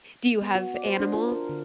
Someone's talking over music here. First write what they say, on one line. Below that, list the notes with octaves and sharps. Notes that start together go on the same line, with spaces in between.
Do you have animals?
B3
F#4
D5
C5
D4
F4
A#4
D3